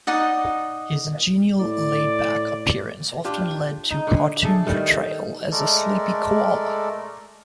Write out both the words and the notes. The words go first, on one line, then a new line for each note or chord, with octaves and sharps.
His genial, laid-back appearance often led to cartoon portrayal as a sleepy koala.
D#4 D5 D#5 F#5
A2 D5
D4 F4 G4
D#4
D3
A3 G#4 A4
D#3 G3 A3
G#3 A3 A4 A#4 D5